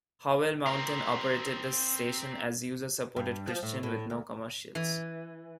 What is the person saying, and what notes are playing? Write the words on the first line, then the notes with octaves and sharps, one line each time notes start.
Howell Mountain operated the station as "user supported Christian" with no commercials.
C4 A#4
G2
F3
A2
A2
D2
E3